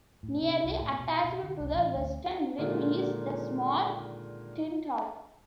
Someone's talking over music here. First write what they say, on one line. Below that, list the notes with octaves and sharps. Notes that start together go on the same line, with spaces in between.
Nearly attached to the western rim is the small Tyndall.
A2
C3
C2
A2
B2
B2
D3
C2
A1
D2
A#2 D3 D#3 G#3 A#3 F4